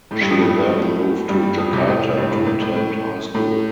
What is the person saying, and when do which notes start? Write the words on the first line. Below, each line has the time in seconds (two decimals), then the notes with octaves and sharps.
She then moved to Jakarta to attend high school.
0.11 A2 A3
0.21 G2 G3
0.30 F2 F3
0.40 A2 A3
0.70 A2 A3
1.29 G2 G3
1.58 F2 F3
1.73 C2 C3
1.88 A2
2.17 G2
2.32 A2
2.46 A2
2.61 A2
2.76 A2
2.90 A2
3.34 A2 A3